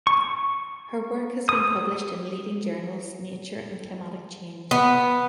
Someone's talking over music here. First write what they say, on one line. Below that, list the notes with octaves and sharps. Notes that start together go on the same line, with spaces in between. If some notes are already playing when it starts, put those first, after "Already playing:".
Her work has been published in leading journals Nature and Climatic Change.
C#6
D#6
B3